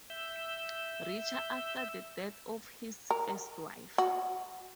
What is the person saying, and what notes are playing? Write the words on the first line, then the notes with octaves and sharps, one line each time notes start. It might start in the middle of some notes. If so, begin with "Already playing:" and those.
Richer after the death of his first wife.
E5 E6 G6
A#4
F#4